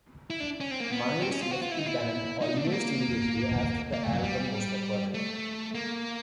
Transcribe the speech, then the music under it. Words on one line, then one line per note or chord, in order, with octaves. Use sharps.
Myles left the band almost immediately after the album was recorded.
E4
D4
C#4
C4
A#3
B3
C4
C#4
F4
F#4
F4
E4
D#4
E4
D#4
D4
A3
A#3
A#3
A3
F#3
G3
A3
A#3